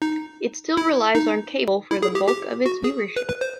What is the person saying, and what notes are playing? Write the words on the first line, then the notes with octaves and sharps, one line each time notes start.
It still relies on cable for the bulk of its viewership.
D#4
E4
D#4
E4
G#4
G4
G4
F#4
G#4
B4
B4
C5